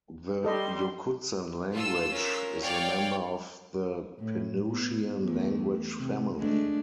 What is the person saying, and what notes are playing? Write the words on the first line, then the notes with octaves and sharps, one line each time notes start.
The Yokutsan language is a member of the Penutian language family.
G3 A4 D#5 C6
F4 A4 E6
C#4 A#4
C#5 D5 F5 G5
A2
B3
E2 A3
C3
G#3 A3 D4